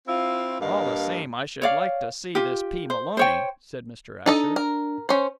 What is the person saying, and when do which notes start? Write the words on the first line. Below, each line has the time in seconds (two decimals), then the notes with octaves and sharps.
"All the same, I should like to see this P. Maloney," said Mr. Asher.
0.08 C4 E4 F4
0.61 G2 A#3 D#5 F5
1.62 C#5 D5 F5
2.35 F4 G4
2.90 C5
3.17 C5 C#5 G5
4.26 D4 D#4 A4 D#5
4.56 A#4
5.09 C#4 C5